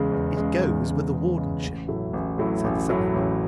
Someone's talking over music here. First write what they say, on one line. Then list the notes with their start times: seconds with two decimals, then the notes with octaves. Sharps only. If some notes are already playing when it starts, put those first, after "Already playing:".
"It goes with the wardenship," said the son-in-law.
Already playing: E2 C#3 G#3
0.12 E2
0.37 C#3 G#3
0.61 E2
0.87 C#3 G#3
1.12 E2
1.38 C#3 G#3
1.63 A1
1.88 A2 F#3 A3 E4
2.13 A1
2.38 A2 F#3 A3 E4
2.64 A1
2.89 A2 F#3 A3 E4
3.14 A1